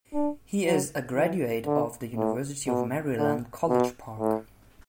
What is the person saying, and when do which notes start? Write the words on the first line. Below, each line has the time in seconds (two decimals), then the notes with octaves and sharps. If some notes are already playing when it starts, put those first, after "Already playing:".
He is a graduate of the University of Maryland, College Park.
0.14 D4
0.64 F#3
1.15 E3
1.66 D3
2.16 A2
2.67 B2
3.18 D3
3.68 B2
4.19 A2